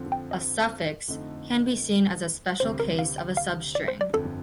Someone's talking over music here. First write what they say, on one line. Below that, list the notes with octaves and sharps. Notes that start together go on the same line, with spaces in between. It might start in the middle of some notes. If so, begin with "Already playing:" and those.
A suffix can be seen as a special case of a substring.
Already playing: F2 D3 F3 C4
G5
D#5
F2 D3 A3 D#4
D2 C3 G3 C4 C5
A#4
F5
G5
F5
D5
C5
D5
G1 F2 D3 A4